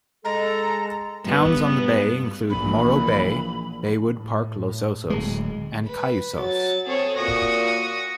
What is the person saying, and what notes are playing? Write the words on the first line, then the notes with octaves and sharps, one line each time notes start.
Towns on the bay include Morro Bay, Baywood Park-Los Osos, and Cayucos.
G#3 A4 A#5
G2 B3
A#1 A#2 E3 B5
A2
D1 G#3
B4
F#3 A6
C4 G#4 A4 C#5
A#2 F#4 D#6 A#6 C#7